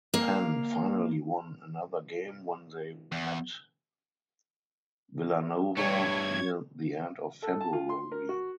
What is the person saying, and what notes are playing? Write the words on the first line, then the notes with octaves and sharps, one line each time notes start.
Penn finally won another game when they met Villanova near the end of February.
A#3 F5
E2
G2 A3 C#5 G#6
A4
A5
F4
C6
A#4
F#4